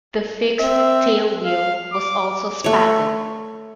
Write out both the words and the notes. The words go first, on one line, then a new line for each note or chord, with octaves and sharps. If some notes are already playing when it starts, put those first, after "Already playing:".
The fixed tailwheel was also spatted.
C4 E5
F5
D6
A3 C#5